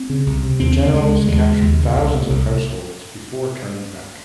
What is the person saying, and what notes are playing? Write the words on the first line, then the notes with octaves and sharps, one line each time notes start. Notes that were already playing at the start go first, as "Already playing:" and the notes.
The generals captured thousands of households before turning back.
Already playing: C4
C#3
C2
C3
D#2 C4
C#3
C4
C#2 G#3
C#3
D#2 G#3
C#3
D#2
C#3
C2
C3
C2